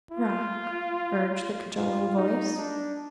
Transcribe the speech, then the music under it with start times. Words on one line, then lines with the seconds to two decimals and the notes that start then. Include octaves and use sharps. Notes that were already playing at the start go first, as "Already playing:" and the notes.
"Rock..." urged the cajoling voice.
0.12 F4
1.76 F4
2.17 D#4
2.58 D4